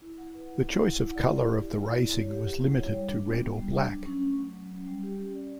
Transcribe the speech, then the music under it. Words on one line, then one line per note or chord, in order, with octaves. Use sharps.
The choice of colour of the Racing was limited to red or black.
E4
F#5
B4
E4
E4
F#5
E4
D5
G4
E4
E4
D5
E4
C#5
G4
F#5
E4
C#5
G3
D4
B3
F#4
G3
D4
F#3
C#4
A3
F#3
F#3
C#4
G3
G4
C#4
D5